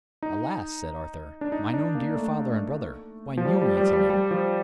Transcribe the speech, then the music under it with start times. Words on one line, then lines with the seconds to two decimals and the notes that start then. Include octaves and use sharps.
"Alas," said Arthur, "mine own dear father and brother, why kneel ye to me?"
0.23 D#4
1.41 D4
1.52 D#4
1.74 D4
1.95 A#3
2.17 A3
3.37 F3
3.45 G3
3.61 G3
3.77 G3
3.93 G3
4.10 G3
4.31 F3